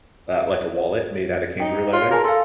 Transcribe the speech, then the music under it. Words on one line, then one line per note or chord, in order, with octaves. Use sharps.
uh like, a wallet made out of kangaroo leather.
D#4 G5
F4 C#5 C6
G#4 A#4 G#5 A5
A4 F5 C6